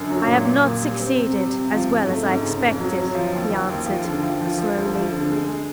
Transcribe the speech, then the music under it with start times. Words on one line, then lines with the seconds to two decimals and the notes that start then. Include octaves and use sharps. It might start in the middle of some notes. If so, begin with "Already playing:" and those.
"I have not succeeded as well as I expected," he answered slowly.
Already playing: F#2 D3
0.10 F#3
0.27 A#2
0.45 A#2
0.64 A#2
0.81 G3
1.00 C4
1.18 C3
1.36 G3
1.53 C3
1.71 F3
1.89 G#2
2.07 A3
2.26 G#2
2.44 C#3
2.61 F2
2.80 F#3
2.97 F#3
3.15 F3
3.32 D#2
3.50 D#2
3.69 D#2
3.86 F3
4.04 D3
4.23 F3
4.41 F3
4.58 F3
4.77 D2
4.95 F3
5.12 D3
5.30 G#3
5.48 G#3